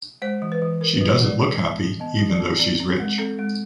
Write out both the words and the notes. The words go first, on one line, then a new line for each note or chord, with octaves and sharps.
She doesn’t look happy, even though she’s rich.
G#3 C5
E3
B4
E3
E3 A#4
E3 B4
C#5
G#3 D5
E3
B3
E3
B3 D#5
E3
D5
B3
C4 D5
C4
G#3
C4 A4
G#3